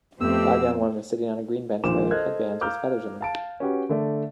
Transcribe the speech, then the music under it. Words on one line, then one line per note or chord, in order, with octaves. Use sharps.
Five young women sitting on a green bench wearing headbands with feathers in them.
F2 A3 B3 C4 G4 E6
A#1 A#2 D#3 C5 D6 E7
A4 C5 D#5 F6 F#6 G#6
F5 A#5 D6 E6 F6 G6
F5 A5 D7
C#4 F#4 G4 B4
D3 A3 D5